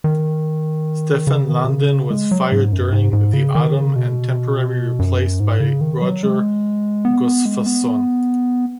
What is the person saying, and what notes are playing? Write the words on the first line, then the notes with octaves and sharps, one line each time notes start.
Stefan Lundin was fired during the autumn and temporary replaced by Roger Gustafsson.
D#3
C#3
D#3
B2
C#3
G#3
F#3
G#2
F#2
G#2
G#2
C#3
D#3
C#3
B2
F#2
G#2
C#3
D#3
F#3
G#3
B3
G#3
B3